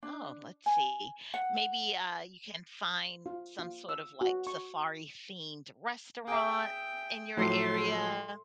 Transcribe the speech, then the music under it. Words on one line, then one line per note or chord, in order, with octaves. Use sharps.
oh, let's see, maybe, uh, you can find some sort of, like, safari-themed restaurant in your area.
D4
G#5
F#5
F4
F4
E6
F#4
C#6
G#4 E5 G5
A2 F3 F#3 A4 C6